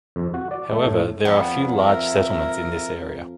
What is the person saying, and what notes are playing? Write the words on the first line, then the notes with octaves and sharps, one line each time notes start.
However, there are few large settlements in this area.
F2
F#4
D5
A3
A2
F2 B3 D5 F#5
A#4 E5